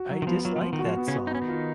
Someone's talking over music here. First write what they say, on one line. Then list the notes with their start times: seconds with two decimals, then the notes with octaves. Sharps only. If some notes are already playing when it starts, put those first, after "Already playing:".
I dislike that song.
Already playing: F#4
0.10 F#3
0.22 D#3
0.27 F3 B3
0.44 F#3 F4
0.56 F#3
0.62 F3 B3
0.73 D#3
0.79 F#4
0.85 F3
0.97 B3
1.08 C#3 C#4
1.13 F#4
1.27 D#4
1.31 B3 C#4
1.42 D#3 D#4
1.49 F4